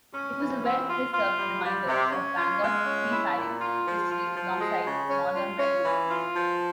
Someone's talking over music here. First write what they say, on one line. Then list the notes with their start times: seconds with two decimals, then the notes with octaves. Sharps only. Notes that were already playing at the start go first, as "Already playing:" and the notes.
It is a well-preserved reminder of Bangor's seafaring history alongside its modern marina.
0.13 C#4
0.39 E3
0.64 C4
0.89 F4
1.13 F4
1.38 G3
1.63 G3
1.87 C3
2.12 C#4
2.37 F4
2.62 G#3
2.86 C#4
3.11 E4
3.37 A#2
3.61 F4
3.86 F3
4.11 F4
4.35 F3
4.60 G#3
4.85 C#3
5.10 C#4
5.35 F4
5.59 C#4
5.84 E3
6.09 F4
6.34 F3